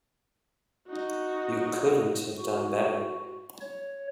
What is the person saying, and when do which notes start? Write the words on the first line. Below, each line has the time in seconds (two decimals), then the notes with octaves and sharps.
You couldn't have done better.
0.88 D#4 F#4
2.38 F#4
3.62 C#5